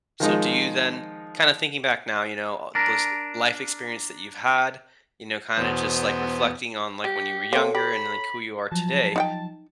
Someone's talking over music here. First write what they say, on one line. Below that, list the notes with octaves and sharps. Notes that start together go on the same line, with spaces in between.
So do you, then kinda thinking back now, you know, uh those life experience that you've had, you know, kinda just, like, reflecting on, like, when you were younger and then, like, who you are today,
D#3 F3 G#3 D#4
D4 A#4
E2 B2 B3 C5
G3 G4
A#3 C4 A4 C#5
G4 B5
F3 F#3 A5
D#4 F#5 G5